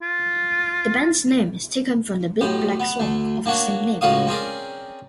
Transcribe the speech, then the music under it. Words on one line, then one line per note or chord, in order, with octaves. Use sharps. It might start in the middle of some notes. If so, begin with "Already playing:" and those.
The band's name is taken from the Big Black song of the same name.
F4
B1 A2 G4
B3
D2 A3
A#3 D4 F#4 C#5
C#2 A2 F#4 C#5 F5 D#6
C4 C#4 G#4 A#4 D5